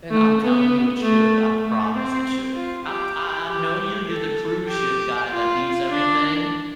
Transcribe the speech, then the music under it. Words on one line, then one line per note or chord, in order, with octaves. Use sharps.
And I'm telling you, it should, I promise it should. I t I I know you, you're the cruise ship guy that eats everything
A3
B3
A3
A3
C4
F4
G4
G4
A4
G4
F4
D4